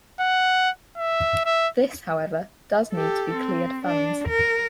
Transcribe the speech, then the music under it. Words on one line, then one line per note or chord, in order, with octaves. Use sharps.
This, however, does need to be cleared funds.
F#5
E5
E5
G4 A4
C4
D4
A#4